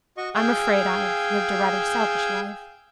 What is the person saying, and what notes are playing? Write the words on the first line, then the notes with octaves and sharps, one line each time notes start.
I'm afraid I've lived a rather selfish life.
F#4 D#5 C#6
G#4 F5 G5 G#5 E6 G6